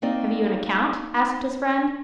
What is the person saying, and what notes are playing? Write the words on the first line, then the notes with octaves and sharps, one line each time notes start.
"Have you an account?" asked his friend.
A#3 C4 D#4 F#4 D5 D#5